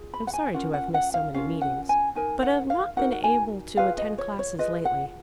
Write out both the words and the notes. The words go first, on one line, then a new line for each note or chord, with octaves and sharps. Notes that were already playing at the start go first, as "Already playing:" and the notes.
Am sorry to have missed so many meetings, but have not been able to attend classes lately.
Already playing: F4 G#4
B5
F#5
G#5
C#4 F4 A#4 F#5
F#5
F#5
F5
C#4 F4 A#4 F5
F#5
G#5
D#4 A#4 G#5
F#5
F5
D#4 F#4 A#4 F#5
F#5
G#5
F4 G#4 B4 F5
D#5
C#5
C#5
F4 G#4 B4 D#5
F#5